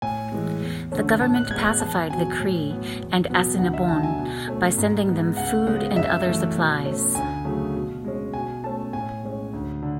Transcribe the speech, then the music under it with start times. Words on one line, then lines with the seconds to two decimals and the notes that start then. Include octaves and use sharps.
The government pacified the Cree and Assiniboine by sending them food and other supplies.
0.02 A2 G#5
0.32 E3 G#3
0.61 E2
0.92 D3 A3 C#4
1.21 A2 A5
1.36 F#6
1.50 G#3 B3 G#6
1.66 F#6
1.80 E2 A5
2.10 B2 F#3 G#5
2.40 A2
2.70 F#3 B3
3.00 E2
3.29 B2 F#3 B3
3.59 D2 F#5
3.73 E5
3.88 D3 F#3 A5
4.03 G#5
4.19 B2
4.48 A3 C#4
4.78 G#2
5.07 G#3 B3
5.37 C#2 F#5
5.67 C#3 G#3 B3 F#5
5.96 F#2 E5
6.26 E3 A3
6.56 B2
6.86 A3 C#4
7.15 D2 G#5
7.45 C#3 F#3 A3
7.75 B2
8.04 G#3 C#4
8.33 B2 G#5
8.64 A3 C#4 A5
8.93 A2 G#5
9.23 G#3 C#4
9.53 D2
9.83 D3